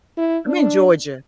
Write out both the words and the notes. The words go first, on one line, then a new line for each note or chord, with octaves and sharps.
I'm in Georgia.
E4
D4